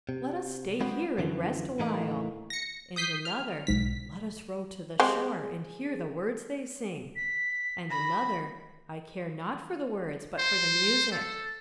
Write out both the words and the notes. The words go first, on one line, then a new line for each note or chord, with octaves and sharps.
Let us stay here and rest awhile." And another, "Let us row to the shore, and hear the words they sing." And another, "I care not for the words, but for the music.
C3
G#3 B3 C4 D4 F#4
F#2 D3 E3 F3
A2 E3 A3 A#3 D#4
A#6 C#7
D#6 G6 B6 C7
F6
B1 G#2 B6
G#3 C4 G4 G#4
B6
B5 A#6
C5
A4